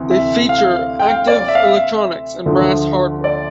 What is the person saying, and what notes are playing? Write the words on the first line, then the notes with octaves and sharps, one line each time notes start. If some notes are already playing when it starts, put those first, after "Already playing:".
They feature active electronics and brass hardware.
Already playing: D2 C3 E3
E5
F5
G5
F5
D5
E5
F5
E5
D2 D3 F3
D5